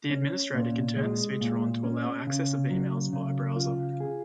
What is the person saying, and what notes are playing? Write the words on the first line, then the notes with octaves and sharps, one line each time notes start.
The administrator can turn this feature on to allow access of emails via browser.
C#4
A#2
G#3
A#2
C#4
C#3
F#3
C#3
F4
G#4